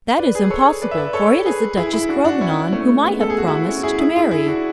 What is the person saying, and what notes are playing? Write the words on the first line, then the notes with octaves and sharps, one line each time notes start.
"That is impossible; for it is the Duchess Grognon, whom I have promised to marry."
B4 D5
G#4 B4
A4 C#5
B4 D5
E5
B4 D5
A4 C#5
G#4 B4
E4 G#4
E4 G#4
D4 F#4
D4 F#4
C#4 E4
A3 C#4
G#3 B3
A4
G#4
F#4
E4 G#4
C#4 E4
F#4
E4 G#4
E4 G#4
E4 G#4
E4 G#4
D4 F#4